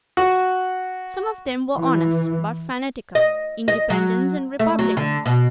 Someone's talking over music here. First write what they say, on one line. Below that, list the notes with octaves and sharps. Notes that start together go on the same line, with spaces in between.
Some of them were honest, but fanatical, Independents and Republicans.
F#4
E3
D#5
D#5
F#3
A3
F#3
D3
B2